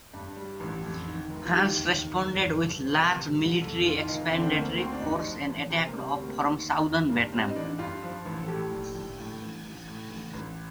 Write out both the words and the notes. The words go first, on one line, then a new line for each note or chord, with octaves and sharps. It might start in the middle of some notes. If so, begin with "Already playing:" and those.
France responded with a large military expeditionary force and attacked up from southern Vietnam.
G2
G3
A1
F2
D#3
F1
F4
D#3 G4
D#2
D#2
F2
G1
G1
C5
C3 A#4
G3
C2
F2 A4
D#3 F4
F4
F1 D#4
D3 C4
D4
C4
D2 A#3
A#3
D2 C4
D4
G2 D#4
F3
A1
C3 C4
A#3
G3
C4
D2
A#3
D#3
D#2
D#2
G2 A#3
G3 C4
D#4
A1 D4
G2 F4
F3
A1
A4
A2 G4
A#1
A#1
A2
A1
A1
A2
A1
A1